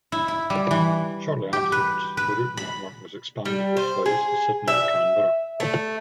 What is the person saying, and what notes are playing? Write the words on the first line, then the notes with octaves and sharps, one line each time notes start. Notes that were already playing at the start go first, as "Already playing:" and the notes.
Shortly afterwards, the route network was expanded with flights to Sydney and Canberra.
E4
E4
G3
E3
G4
B4
B4
B5
G3
C5
G#4
E5
A3